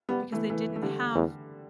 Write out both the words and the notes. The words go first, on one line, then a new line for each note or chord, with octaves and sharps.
because they didn't have
G3 B3
E3 A3
E3 A3
A3
D3 G3
E2